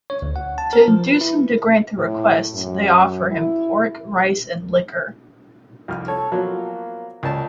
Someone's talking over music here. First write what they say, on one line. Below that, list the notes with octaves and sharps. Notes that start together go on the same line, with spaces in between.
To induce him to grant their requests, they offer him pork, rice, and liquor.
C#5
D2
F#5
A5
A#4
F3
B4
E4
A2
F#2
E4
C2 F2 F6
A4 C#5
B2 F3 F#3 A#3
C#2 A#2 A5